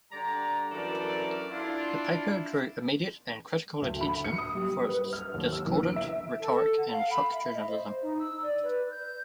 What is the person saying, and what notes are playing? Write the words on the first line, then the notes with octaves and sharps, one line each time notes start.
The paper drew immediate and critical attention for its discordant rhetoric and shock journalism.
D3 G3 D5 A#5
F#2 E3 D4 A4 A#4 D5
D4 E4 F4
D2
B5
C#7
D#6
G3
B4
F6
D#2
E6
E3
D7
E5
A4
F#5
F5
B5
E5
D#5
C5
D#4
E6
D5
B4
G6